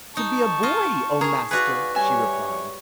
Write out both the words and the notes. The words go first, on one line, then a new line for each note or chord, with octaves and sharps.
"To be a boy, O master!" she replied.
D#4 A5 C#6
F4 D#5
G#4 A#4 C#5
F#4 G#4 B4 D5 F5
G3 C#5 E5 G#5